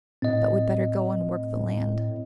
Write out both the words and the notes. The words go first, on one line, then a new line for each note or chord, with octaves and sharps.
But we'd better go and work the land.
A2 C4 D#5